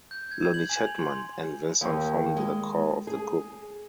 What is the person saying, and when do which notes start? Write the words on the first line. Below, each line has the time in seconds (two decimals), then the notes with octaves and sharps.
Lonnie Chatmon and Vinson formed the core of the group.
0.11 G6
0.31 G#6
0.54 F#7
0.70 G#5
0.87 F7
1.01 C6
1.81 D#2
2.37 G#3
3.07 G#4